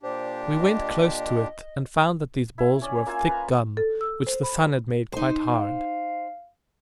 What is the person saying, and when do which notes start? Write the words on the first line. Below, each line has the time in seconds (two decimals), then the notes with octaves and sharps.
We went close to it, and found that these balls were of thick gum, which the sun had made quite hard.
0.03 A#2 D4 G4 C5
0.59 D#5
2.58 E4
2.82 C#4 D5
3.06 A#3 F4 E5 G#5
3.27 B4 F5 A#5
3.77 A4
4.01 E6
4.27 C5
4.43 B5
5.12 D#4 C5
5.53 F5